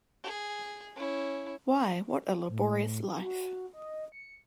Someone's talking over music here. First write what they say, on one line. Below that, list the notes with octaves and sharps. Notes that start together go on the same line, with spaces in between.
Why, what a laborious life!
G#4
C#4 E4
A2
F#4
D#5
C#7